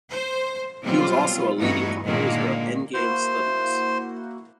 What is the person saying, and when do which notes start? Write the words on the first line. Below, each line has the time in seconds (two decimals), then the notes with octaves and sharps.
He was also a leading composer of endgame studies.
0.11 C5
0.83 B2 F#3 G3 C4 F4
1.59 E2 G2 A3 B3 D#4 F#4
2.06 A#2 D3 D#3 G#3 A#3
2.94 A#3 E4 F#4 C5